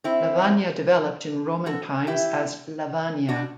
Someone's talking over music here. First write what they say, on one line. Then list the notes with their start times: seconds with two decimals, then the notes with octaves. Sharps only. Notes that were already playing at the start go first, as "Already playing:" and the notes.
Lavagna developed in Roman times as Lavania.
0.04 C4 E4
1.66 F#4 A4
2.07 E4 G4
3.29 D4 F#4